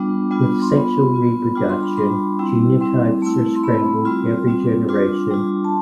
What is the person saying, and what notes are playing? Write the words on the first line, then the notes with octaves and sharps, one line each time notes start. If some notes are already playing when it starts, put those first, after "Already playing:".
With sexual reproduction, genotypes are scrambled every generation.
Already playing: G3 B3 D4 F4
G3 B3 D4 F4
C6
B3 F4 B5
B3 F4
G3 D4 F4
C6
B5
G3 D4 F4 C6
G3 C4 E4
G3 C4 E4 C6
A3 C4 E4
C6
A3 C4 E4 B5
C6
G3 C4 F4 C6
G3 C4 F4
G3 D4 F4 C6
G3 D4 F4
A5